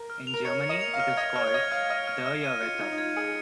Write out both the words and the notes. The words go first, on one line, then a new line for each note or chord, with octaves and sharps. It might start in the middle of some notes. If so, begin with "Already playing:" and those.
In Germany it is called "Dreierwette".
Already playing: A#4
F6
F7
A#4
C#5 C#7
C#7
D#5
F7
F5
F6
D#5 G#6
C#5 F6
C#5
D#5 G#6
F5 F6
D#5 F6
F6
D#5 F6
D#7
F4 C#7
F4
D#4 G#6
D#4
F4 G#6
G#4 C#7